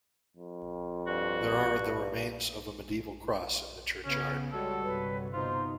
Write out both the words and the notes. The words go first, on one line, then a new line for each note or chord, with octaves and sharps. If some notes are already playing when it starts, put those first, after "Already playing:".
There are the remains of a medieval cross in the churchyard.
F2
G2 F#4
C#3 B3 C#4
G3 G#3 F#4 A4 C#5
G1 C3 B4
B2 D#4 F4 C5